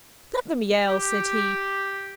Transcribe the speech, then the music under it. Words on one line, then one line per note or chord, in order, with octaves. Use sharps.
'Let them yell!' said he.
G4